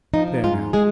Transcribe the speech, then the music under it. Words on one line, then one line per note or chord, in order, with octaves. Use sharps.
There, now.
F3 D#4
G#2 F4
G#3 G#4